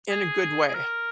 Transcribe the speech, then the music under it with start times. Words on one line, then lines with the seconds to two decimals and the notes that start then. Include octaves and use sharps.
in a good way,
0.09 G#4
0.68 G#4
0.75 A#4